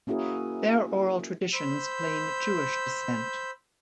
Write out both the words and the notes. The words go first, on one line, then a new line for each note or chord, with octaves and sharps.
Their oral traditions claim Jewish descent.
A#3 C#4 E4 F#4 G#4 A#4
C5 B5 E6 G6